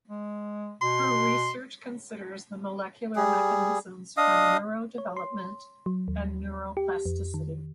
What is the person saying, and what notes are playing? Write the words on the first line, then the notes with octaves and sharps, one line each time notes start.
Her research considers the molecular mechanisms for neurodevelopment and neuroplasticity.
G#3
B2 C6
G3 G#4
D4 D#5 F5 D#6
C#5
C6
F#3
D#2
G4
F2
D#3